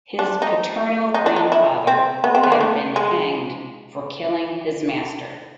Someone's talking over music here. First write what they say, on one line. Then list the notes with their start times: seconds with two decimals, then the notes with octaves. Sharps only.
His paternal grandfather had been hanged for killing his master.
0.19 D4
0.42 D#4
1.14 D#4
1.26 D4
1.36 D#4
1.52 E4
1.87 C4
2.24 B3
2.35 C4
2.43 B3
2.52 A#3
2.61 A3
2.96 G#3